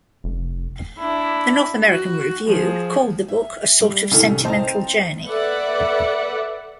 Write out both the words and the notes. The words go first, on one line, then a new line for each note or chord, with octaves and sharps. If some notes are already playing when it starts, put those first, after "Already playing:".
The "North American Review" called the book "a sort of sentimental journey".
F1
D4 E4
F#4
F3 G#4
E5
G3
C2 A2 D#3 C#4 D#4 A4
C4 C5 D#5 F5 A5 A#5
A4 B4 D5 E5 F#5